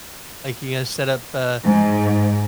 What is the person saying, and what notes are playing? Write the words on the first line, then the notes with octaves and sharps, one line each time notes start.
Like you're gonna set up, uh,
G#2